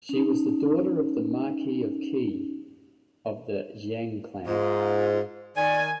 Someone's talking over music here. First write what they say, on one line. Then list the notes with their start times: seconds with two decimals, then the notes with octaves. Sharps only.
She was the daughter of the Marquis of Qi of the Jiang clan.
0.09 C#4 D#4
4.47 G#2 F4
5.57 D#3 D5 G#5